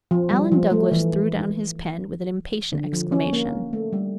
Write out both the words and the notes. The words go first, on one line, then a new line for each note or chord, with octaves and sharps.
Alan Douglas threw down his pen with an impatient exclamation.
F3
G3
F3
A3
E3
D3
F3
C#4
A#3
A3
G3